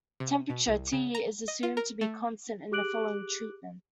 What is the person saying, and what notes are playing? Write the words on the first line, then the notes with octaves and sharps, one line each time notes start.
Temperature, "T", is assumed to be constant in the following treatment.
C3
B2
C2
C#3
A#5
D#5
F4
A#4
A3
G4 G#4 D6 F#6 D7 F#7